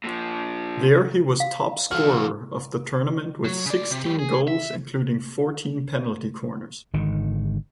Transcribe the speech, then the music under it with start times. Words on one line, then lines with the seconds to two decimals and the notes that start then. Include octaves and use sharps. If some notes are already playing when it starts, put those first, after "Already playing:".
There he was topscorer of the tournament with sixteen goals, including fourteen penalty corners.
0.04 A#2 F3
1.40 F5
1.91 E2 F4 F#4 A4 F6
3.45 F#3
3.66 C#3 D5
3.90 C3
4.05 F#3 G4
4.19 G#4
4.48 E5
6.94 G#1 D3 D#3